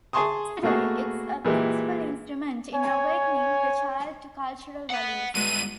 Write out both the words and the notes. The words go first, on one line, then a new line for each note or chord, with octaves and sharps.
Today it is a principal instrument in awakening the child to cultural values.
G#4 G#5 A5 C6 C#6 D#6
B2 A3 A#3 F#4 G#4
A#2 E3 G#3 G4
C#5 G#5
F#5 B5
G2 G#3 B3 D#7